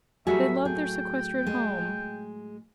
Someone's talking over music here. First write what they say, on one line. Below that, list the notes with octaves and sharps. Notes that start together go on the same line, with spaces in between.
They loved their sequestered home.
A2 F#3 G3 A3 F#4 G#4 E5
G#4 G5
G#3